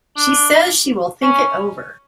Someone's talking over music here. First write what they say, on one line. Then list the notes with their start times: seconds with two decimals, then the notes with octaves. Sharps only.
She says she will think it over.
0.17 D4
1.22 C#4